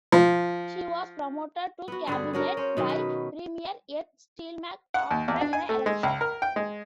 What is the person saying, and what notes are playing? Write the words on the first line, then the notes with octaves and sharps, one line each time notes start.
She was promoted to cabinet by Premier Ed Stelmach after the election.
F3
B3 F#4
G2 D3 G3 G#4
C#4 F#4 A#4
C#4 C5
B2 D#3 F#3
B4
F#5
D#2
E2
D4
G#5
A3
G#3
C#2
A#4
G5
G#3